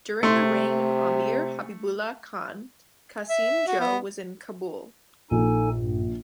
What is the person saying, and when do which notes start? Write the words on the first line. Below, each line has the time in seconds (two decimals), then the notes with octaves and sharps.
During the reign of Amir Habibullah Khan, Qasim Jo was in Kabul.
0.23 C3 A3 C6
3.29 E5
3.67 F#4
3.80 B3
5.31 A#1 D#4 A4 G#5
5.74 G2